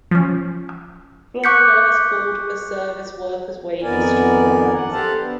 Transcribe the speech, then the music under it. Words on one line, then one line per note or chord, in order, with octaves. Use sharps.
Florida has called for service workers' wages to rise.
F3 C#4
C#6 D6 F#6 G6 B6 C#7
F2 D#3 B3 A#4 D5 G#5
F#2 F#5
G4 A4 C5 F5 F#5 A5
B3 D4